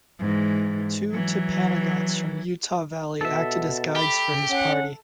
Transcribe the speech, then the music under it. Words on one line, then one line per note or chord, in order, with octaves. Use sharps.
Two Timpanogots from Utah Valley acted as guides for his party.
G#2 E3
E3 F#3
B2 A4 E5
G4 B5
C#4 F#5